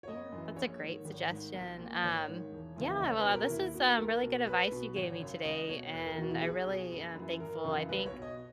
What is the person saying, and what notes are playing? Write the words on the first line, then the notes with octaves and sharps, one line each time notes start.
Yeah. That's a great suggestion. Um, yeah. Well, this is, um, really good advice you gave me today, and I really am thankful. I think
C#5
F#1 D#5
F#2 E3
A#1 C#5
G#2 D#3
G#1
G#2 D#3
B1
A#2
G#1 C#5
G#2 D#3
E1
D#2 C#3 E3
E5
C#2 D#5
C#5
B4
B2
A#4
D#2 E4
D#3 F#4
B1 A#4
B2
B1 B4
B2
G#1 C#5
F#2 C#3
C#2 D#5
B2 C#5
E1 B4
A#4
E2 B2 F#4
E4
B1 G#4
B2
F#1
F#2 E3
G#1 A#4
F#2 C#3 E3
B1 B4
C#5
B2
D#5